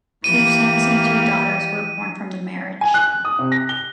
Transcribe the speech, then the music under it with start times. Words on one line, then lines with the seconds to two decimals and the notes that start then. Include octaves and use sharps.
Two sons and two daughters were born from the marriage.
0.24 E3 A#3 G4 D#7
2.81 G#5
2.94 F#6
3.25 D#6
3.39 C3
3.52 A#6
3.69 G7